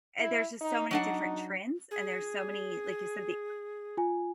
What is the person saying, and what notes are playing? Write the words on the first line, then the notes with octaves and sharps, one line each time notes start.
and there's just so many different trends, and there's so many, like you said, the
E4
D#4
F#3 D4 D#4 F#5
G#4
F4 G#5